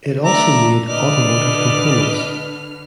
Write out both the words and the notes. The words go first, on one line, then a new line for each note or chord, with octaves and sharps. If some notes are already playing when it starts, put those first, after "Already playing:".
It also made automotive components.
A3 D4 D5 E5 A#5
D3 B4 D5 D#5 F6